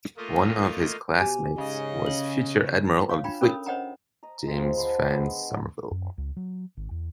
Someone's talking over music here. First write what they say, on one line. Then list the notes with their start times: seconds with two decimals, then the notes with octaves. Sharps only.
One of his classmates was future Admiral of the Fleet James Fownes Somerville.
0.17 A3 A#3 F4 D#5
1.20 B2 G4 G#5
1.58 G#2 C#3 D#5
2.06 C#4 F#7
3.09 C#5 F5
3.24 D4 F4 G5 A#5 B5
3.41 C#4 A4 A#4 C#5 B5 D#6
3.66 C5 C#5 D#5 F#5 G5 A#5
4.23 D#5 A#5
4.47 G#3 C4 F4
4.77 C5 F#5 A5 B5
5.10 G#3 B3 D4 B4
5.91 F#2
6.18 C#2
6.37 F#3
6.77 G#1
6.91 E2